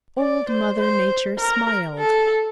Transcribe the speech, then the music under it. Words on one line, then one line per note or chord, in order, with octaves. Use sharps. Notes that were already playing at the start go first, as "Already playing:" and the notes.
Old Mother Nature smiled.
D5
C5
C5
A#4
A4